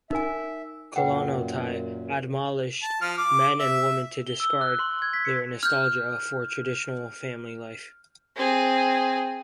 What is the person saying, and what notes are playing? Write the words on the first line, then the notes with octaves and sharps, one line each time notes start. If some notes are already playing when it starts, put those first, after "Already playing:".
Kollontai admonished men and women to discard their nostalgia for traditional family life.
D#4 A#4 E5 G#5
F#2 A#2 B4 F#5 G5
A5
F3 F6
D6
E5
G7
E6
F#6
C6
G#6
B6
C#7
F6 G6
C4 G#4